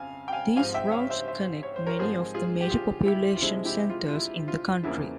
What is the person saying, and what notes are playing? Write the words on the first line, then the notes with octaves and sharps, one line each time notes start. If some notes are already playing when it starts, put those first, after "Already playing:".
These routes connect many of the major population centres in the country.
Already playing: F2 C#3 F5 G#5
G5
F5 G#5
G#2 F3 C4 F5 G#5
E5 G5
C#5 F5
C5 E5
C5 E5
C#5
C5
A#4 C#5
G#2 F3 G#3 C4 G#4 C5
F4 G#4
G4
F4 G#4
E4 G4
F4
C3 F3 G#3 E4
E4 G4
F4
F4
E4
F4
E2 C#3 F3 A#3 E4